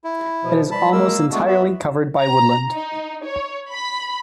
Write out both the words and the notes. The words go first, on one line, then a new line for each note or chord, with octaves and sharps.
It is almost entirely covered by woodland.
E4
B2 F3
E3 G3 A5 B5
G#3 A#3 A#4 E6
G#3 A3 B3 D4 F#4
B3 F#4 E5
A#5
D#4
C#5
B5